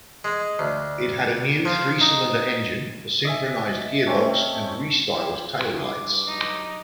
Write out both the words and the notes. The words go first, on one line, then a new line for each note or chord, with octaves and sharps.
It had a new, three-cylinder engine, a synchronized gearbox and restyled tail lights.
G#3
D2
F3
D#4
D#5 E5 G#5
A3 C4 C#4
F3 E4 G4
G2 E4 C6 D6 D#6
F#3 D#4